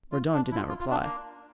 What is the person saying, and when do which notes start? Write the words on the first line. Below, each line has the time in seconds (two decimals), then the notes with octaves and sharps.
Mordaunt did not reply.
0.12 F4
0.34 D4
0.51 E4
0.56 F4
0.69 F4
0.80 F4
0.91 D4
1.03 A#3